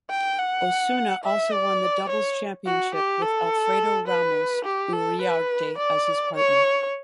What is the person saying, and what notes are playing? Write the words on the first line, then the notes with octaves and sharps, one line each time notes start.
Osuna also won the Doubles Championship, with Alfredo Ramos Uriarte as his partner.
G5
F#5
E5
D5
C#5
F#4
G4
A4
B4
G4
A4
B4
D5
C#5